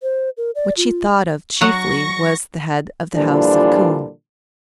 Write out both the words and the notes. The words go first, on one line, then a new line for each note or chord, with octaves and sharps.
What she thought of chiefly was the Head of the House of Coombe.
C5
A#4
D5
F4
F#3 F#5 C#6 A#6
A#2 D3 E3 F3 G3 D4